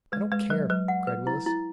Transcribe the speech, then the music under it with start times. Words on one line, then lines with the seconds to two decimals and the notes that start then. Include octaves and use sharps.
"I don't care!" cried Willis.
0.12 G#3 B4
0.32 G#3 B4
0.50 F#3 B4
0.70 F#3 B4
0.88 F#5
1.07 B4
1.27 E4
1.46 E4